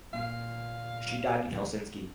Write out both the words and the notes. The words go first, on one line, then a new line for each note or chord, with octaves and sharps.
She died in Helsinki.
A#2 F4 F5